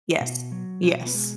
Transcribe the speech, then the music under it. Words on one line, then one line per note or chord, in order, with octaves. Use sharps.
Yes. Yes.
B2
F#3
B2 C#4 C#5
B3 B4
G#3